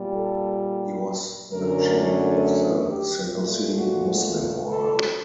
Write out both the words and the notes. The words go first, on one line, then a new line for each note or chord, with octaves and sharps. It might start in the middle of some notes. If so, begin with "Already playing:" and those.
He was the chief of the Senussi Muslim order.
Already playing: A#2 G3
A4
F#2 D3 A3 A#4
G4
A#2 A3
F#4
A4